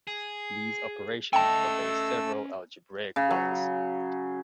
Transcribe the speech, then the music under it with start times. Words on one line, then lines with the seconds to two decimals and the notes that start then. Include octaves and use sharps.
These operations obey several algebraic laws.
0.07 G#4
1.33 A3 C#4 A4 D#5 G5 A5 E6
3.16 C#3
3.31 F#3